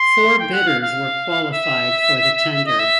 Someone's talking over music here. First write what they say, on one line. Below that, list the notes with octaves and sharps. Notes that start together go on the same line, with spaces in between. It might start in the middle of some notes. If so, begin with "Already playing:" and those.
Four bidders were qualified for the tender.
Already playing: C6
G5
F#5
F5
F5
E5
D#5
E5